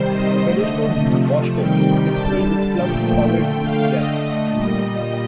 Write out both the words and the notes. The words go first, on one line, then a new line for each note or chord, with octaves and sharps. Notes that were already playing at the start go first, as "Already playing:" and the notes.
The traditional Buchtel is filled with plum Powidl jam.
Already playing: C3 D#3 G3 C5
D#5
D3 A3
C3 F3 A3
C3 D#3 G3 G5
D3 G3 A5
A5
A#2 F3 A3 G5
D3 A3
F5
D3 A3 D#5
A#2 G3